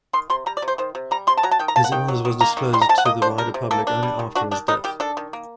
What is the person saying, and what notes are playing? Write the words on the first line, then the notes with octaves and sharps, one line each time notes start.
His illness was disclosed to the wider public only after his death.
D#3 C6
C3 C6
G3 A#5
D5
C3
C5
D#3 C5
C3
G3 A#5
C3 C6
A5
F#3 A#5
A5
D#3 G5
A#5
A#3 A5
F#5
D#3 G5
F#3
D#3
A#3 A#5
D#3
G3 C6
A#5
C3 A5
F#5
A#3 D#5
D4 C5
G3 A#4
C3
A#3 A4
D4
G3
D#3
D4 F#4
D#3 D4
G3 D#4
D#3 G4
D4 A4
D#3
A#3